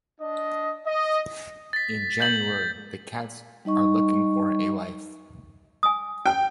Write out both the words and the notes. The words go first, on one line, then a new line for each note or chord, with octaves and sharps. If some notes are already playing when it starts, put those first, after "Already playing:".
In January, the cats are looking for a wife.
D4 D#5
D#5
A6 B6
G6 A6 F#7
G3 D#4 D#5 C#6
G#5 D#6
G5